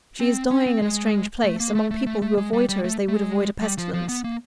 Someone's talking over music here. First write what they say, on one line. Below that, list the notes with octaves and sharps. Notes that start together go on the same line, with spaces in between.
She is dying in a strange place, among people who avoid her as they would avoid a pestilence.
C4
C#4
C4
G#3
A3
A#3
A3
A3
A3
A3
G#3
G3
G3
A3
A3
G#3
G3
F3
F3
B3
A#3